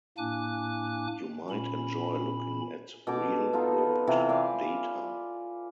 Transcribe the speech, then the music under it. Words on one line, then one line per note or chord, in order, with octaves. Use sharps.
You might enjoy looking at real-world data.
A2 A#3 D4 G#5 D6 F#6
A#2 C#4 B5
B2 A4 D6
B3 D#4 F4 A4
C3 E3 F4
B4 D5 F5 G#5